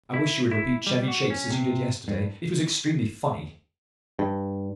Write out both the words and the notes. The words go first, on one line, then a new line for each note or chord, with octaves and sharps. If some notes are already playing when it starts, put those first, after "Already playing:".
I wish you would repeat Chevy Chase as you did yesterday: it was extremely funny.
E4
E4
G3
F#4
C#4
C3
G2
G2